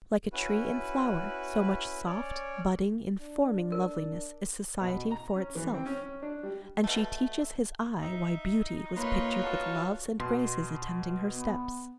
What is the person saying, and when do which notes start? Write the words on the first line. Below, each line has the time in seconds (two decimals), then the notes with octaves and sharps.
Like a tree in flower, so much soft, budding, informing loveliness is society for itself; and she teaches his eye why Beauty was pictured with Loves and Graces attending her steps.
0.33 C#4 E4 F#4 B4
2.06 C#4 C#5 D5
3.21 D4
3.72 A#4
4.81 B2
5.11 A#5
5.35 C#4
5.55 E3
5.74 C4
5.86 C#4
6.03 C#4
6.22 D4
6.43 G3
6.84 B2 A3
8.02 D#4 E5
8.97 A#3 F4 B4 C#5 B5 C6
9.43 F#4 B4 F5 A5
10.20 B2 C6
11.28 B3